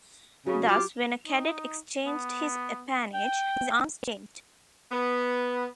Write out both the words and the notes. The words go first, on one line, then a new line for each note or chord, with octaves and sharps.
Thus, when a cadet exchanged his appanage, his arms changed.
C#3 F#3
F4 G4
D#4
B3
G5
B3